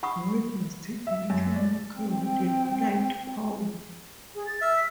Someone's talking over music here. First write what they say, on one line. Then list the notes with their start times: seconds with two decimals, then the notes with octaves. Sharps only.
White must take a little more care with a knight pawn.
0.03 F#5 B5 C#6 D#6
1.07 E5
1.30 F#2
1.56 D5
1.98 C4 G5
4.35 G#4
4.47 A6
4.61 E5 F6
4.76 B6